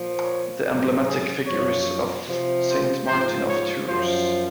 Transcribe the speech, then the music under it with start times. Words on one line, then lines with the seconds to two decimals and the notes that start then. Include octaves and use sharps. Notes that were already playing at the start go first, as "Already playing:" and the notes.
The emblematic figure is of Saint Martin of Tours.
Already playing: A#2 F3
0.24 C#5
0.65 G#2 F#3
1.05 G#4
1.45 F#2 F3 C#5
2.26 C3 F3
2.67 C5
3.07 G#2 F3 C5
3.48 C#5
3.88 F#2 F3 C5